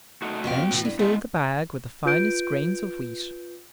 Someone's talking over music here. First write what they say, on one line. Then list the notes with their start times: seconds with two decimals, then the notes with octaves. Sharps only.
Then she filled the bag with the finest grains of wheat.
0.22 A3 D#4 F#4
0.44 F2 B3 F#4 F5 G5
0.71 A2 E3
0.85 G2
0.99 G#3 A3 B3
2.05 F4 B4 G6 D7